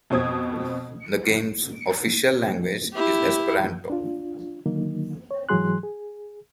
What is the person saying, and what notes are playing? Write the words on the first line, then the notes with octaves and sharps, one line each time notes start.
The game's "official language" is Esperanto.
F2 B2 C4 D#6 G#6
E4 G4
D4 F4
D3 D#3 F#3 A#3 D#4
C#5
G#2 E3 F#3 G#4 C6 F#6
G#4